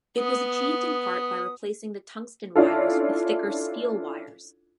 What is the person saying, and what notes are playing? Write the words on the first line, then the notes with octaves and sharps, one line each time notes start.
It was achieved in part by replacing the tungsten wires with thicker steel wires.
B3 D#6
C#4 D4 E4 F4 A4